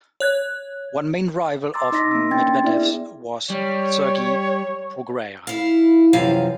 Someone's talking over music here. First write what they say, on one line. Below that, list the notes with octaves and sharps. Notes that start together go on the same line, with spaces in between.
One main rival of Medvedev's was Sergi Bruguera.
C#5 F#6 G#6
A#5 C6 D6 E6 A6
D#4 D#5 C6 A#6 B6
A#3 E6
C#4 D4 G5 C6 G#6 A6
B3 E4 D5 E5
E4 G#4
G3 C#5
E4 F5
F#2 C3 E3 F3 F5 A#5